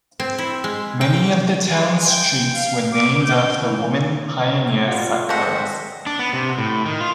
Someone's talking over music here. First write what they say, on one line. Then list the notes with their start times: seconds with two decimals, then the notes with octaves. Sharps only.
Many of the town's streets were named after women pioneer settlers.
0.20 C4
0.38 E4
0.64 G#3
1.01 G5
1.70 G#3
2.08 G5
2.53 F5
2.92 D6
3.23 G6
3.58 E3
4.88 B2 G3 F4 F#5
5.29 F3 G#3 C4 F#4 A4 C5 A#6 B6
6.06 D4
6.19 B3
6.33 C3
6.58 A2
6.86 D#3
7.01 F4